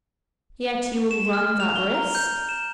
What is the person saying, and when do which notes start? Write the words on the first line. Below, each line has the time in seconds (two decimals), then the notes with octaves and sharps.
"Yet you will run that risk?"
1.11 E7
1.33 F6
1.60 F7
1.76 G7
1.94 A#5
2.15 G6
2.49 E7